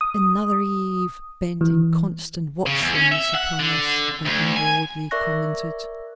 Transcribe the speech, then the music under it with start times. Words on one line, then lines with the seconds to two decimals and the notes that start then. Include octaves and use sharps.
"Another eve bent in constant watchfulness upon us," I inwardly commented.
0.01 D#6
1.61 E3
2.66 C#3
2.81 E2
2.95 C#4
3.12 E5
3.35 F#5
3.59 D3
4.25 D2
4.56 G#5
5.11 A#4 D5 E5 C#6 F#6 A#6